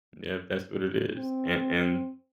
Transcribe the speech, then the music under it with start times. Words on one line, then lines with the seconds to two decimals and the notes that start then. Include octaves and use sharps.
Yeah, that's what it is. A and
1.15 C4